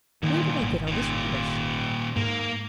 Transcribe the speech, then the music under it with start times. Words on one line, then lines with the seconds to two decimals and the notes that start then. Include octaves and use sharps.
Where did I get all this rubbish?
0.23 C2 A#2 D#3
0.61 G#1
0.87 A#2 D#3
2.16 G#2 A#3